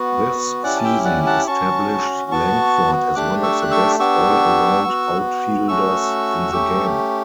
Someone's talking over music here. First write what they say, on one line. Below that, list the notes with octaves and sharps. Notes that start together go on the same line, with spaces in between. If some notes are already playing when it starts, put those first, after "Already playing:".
This season established Lankford as one of the best all-around outfielders in the game.
Already playing: B3 F#4
C#4 E4 G4 D5 F#5
A5
E5 G5
D5 F#5
F#5 A5
C#4 F#4 A5 C#6
B3 F#4 A5 C#6
A3 D4 G4 D6 F#6
C#6 E6
F#6
C#6 E6
B3 D4 G4 C#6 E6
B3 F#4
A3 C#4 F#4 C#6 E6
A3 C#4 G4